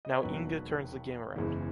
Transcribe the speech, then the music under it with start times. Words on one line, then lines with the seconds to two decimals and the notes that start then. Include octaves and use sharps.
Now Inge turns the game around.
0.05 D#5
0.13 C#5
0.22 E1 D#2 D#3 F#3 B3 B4
1.36 F#1 E2 C#3 E3 G#3